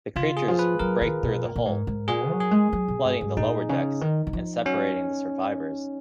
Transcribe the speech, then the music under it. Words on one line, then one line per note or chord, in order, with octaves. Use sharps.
The creatures break through the hull, flooding the lower decks and separating the survivors.
C#3 F4
G#4
F3
B4
F#3 A#4
D#3
B2
A#2
A#2
G#2
G#2
A#2 G#4
F#3
G#4
G#3
F#3
B2
G#2
G#2
A#2 D#4
C#3
D#3
D#3
F3
F#3 C#4